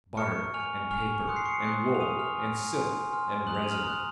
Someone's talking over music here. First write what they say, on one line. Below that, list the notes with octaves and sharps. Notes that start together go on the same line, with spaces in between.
Butter and paper and wool and silk and resin.
A#5 C#6 F6 C#7
G#5 C#6 F6 F7
G#5 C#6 F6 F7
C6 D#6 F#6 C#7
C7
C#6 C#7
C6 D#6 F#6
F7
G#5 C#6 D#6 F6 D#7
F6 F7
G#5 C#6 F6
G#5 C6 F6
G#5 C6 F6
A#5 D#6 F#6 F#7
F7
D#7
F6 F7
A#5 D#6 F#6